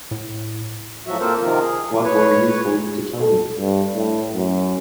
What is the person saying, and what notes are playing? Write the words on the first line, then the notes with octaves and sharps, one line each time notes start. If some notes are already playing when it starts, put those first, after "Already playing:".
What were you going to tell me?
A2
A2 F3 F#3 F#4 E5
A#3 C4 F4 A4 A#4 C5
C3 D#3 F3 F4 A#4
G#4
B4 C#5
A4
G2
A2
F#2